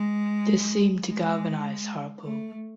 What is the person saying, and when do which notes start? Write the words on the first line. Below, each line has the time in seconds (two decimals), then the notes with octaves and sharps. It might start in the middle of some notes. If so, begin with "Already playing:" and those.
This seemed to galvanise Hartlepool.
Already playing: G#3
1.08 G#3
2.25 A3